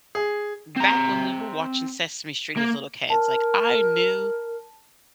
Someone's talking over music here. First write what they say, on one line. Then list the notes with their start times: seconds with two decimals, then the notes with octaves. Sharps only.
M Back when we were watching Sesame Street as little kids, like I knew,
0.15 G#4
0.76 C4 A#5
2.57 A#3
3.10 A#4 A5